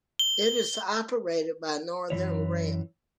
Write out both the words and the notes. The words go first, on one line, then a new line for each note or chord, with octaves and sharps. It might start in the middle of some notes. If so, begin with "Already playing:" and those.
It is operated by Northern Rail.
G7
F#2 C#3 E3 C#5